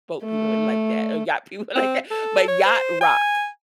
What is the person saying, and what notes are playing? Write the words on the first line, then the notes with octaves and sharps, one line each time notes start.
Boat people wouldn't like that or yacht people wouldn't like that, but Yacht Rock.
A3
C4
A4
C#5
C5
G#5